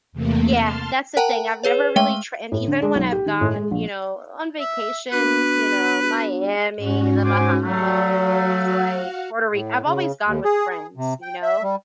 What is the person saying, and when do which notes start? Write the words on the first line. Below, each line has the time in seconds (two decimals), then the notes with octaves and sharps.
yeah, that's the thing. I've never really tried and even when I've gone, you know, on vacations, you know, Miami, The Bahamas, like, Puerto Rico. I've always gone with friends, you know,
0.12 E2 C3 A3 A#3
0.60 A5 C6 F6
1.17 A#4 F#5 G5 A5 A#5
1.63 G#4 B4 C#5
1.96 G#3 A3 G5 G7
2.52 A2
2.68 D3
2.82 G#3
2.95 B1
3.12 G4
3.26 D#3
3.41 A2
3.54 G#3
3.71 A#1
4.60 E5
5.12 B3 D4 F#4 B4
6.77 G#2 C#4 F#4
7.24 C5 G#5 D6
7.63 F#3 A3 F#4 F5 F#5
9.53 A2
9.86 C#3
10.25 D#2
10.44 G#4
10.70 G#4
10.96 C3
11.22 G5
11.43 E5
11.63 G3